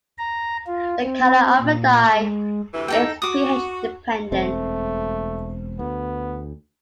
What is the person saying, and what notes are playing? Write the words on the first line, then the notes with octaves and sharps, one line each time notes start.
The color of the dye is pH-dependent.
A#5
F4
C4
A#2
G#3
D2 C3 E3
D#4 A4 G5
F#4 D6 D#6
E1 A3 C4
D2 B3